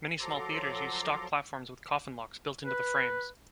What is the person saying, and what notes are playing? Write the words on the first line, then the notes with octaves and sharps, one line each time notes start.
Many small theatres use stock platforms with coffin locks built into the frames.
F3 F#3 A4 A#5 C6 D6
B4